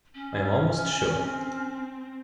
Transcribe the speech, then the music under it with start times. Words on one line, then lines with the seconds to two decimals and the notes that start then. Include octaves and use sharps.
I am almost sure.
0.14 C#4
1.10 C4